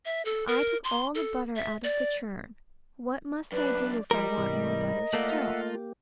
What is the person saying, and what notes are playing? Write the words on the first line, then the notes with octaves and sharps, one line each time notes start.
If I took all the butter out of the churn, what must I do if I want more butter still?
E5
A4
A#4
C6
A4
E5
D5
F#2 D4 B4 D5
F3 G3 A#4 D#5
G#2 C3 E3
A3 A#3 F4 D5 E5 F#5
F4
A#3 G4